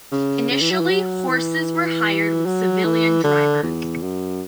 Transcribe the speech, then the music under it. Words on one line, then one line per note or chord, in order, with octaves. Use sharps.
Initially, horses were hired with civilian drivers.
C#3
C#3
E3
F#3
E3
F#3
E3
F#3
E3
D3
E2
F#2